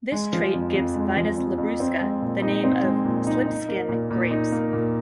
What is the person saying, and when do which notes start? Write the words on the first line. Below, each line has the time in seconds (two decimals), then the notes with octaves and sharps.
This trait gives "Vitis labrusca" the name of "slip skin" grapes.
0.12 G#3
0.33 F3
0.54 F2
0.74 F2
0.96 G#3
1.17 F3
1.38 F2
1.58 F2
1.80 C4
2.01 G#3
2.22 A#2
2.42 D#4
2.64 C4
2.84 G#3
3.05 A#2
3.27 D#4
3.47 D#4
3.69 A#3
3.89 A#2
4.11 A#2
4.31 D#4
4.52 A#3
4.73 A#2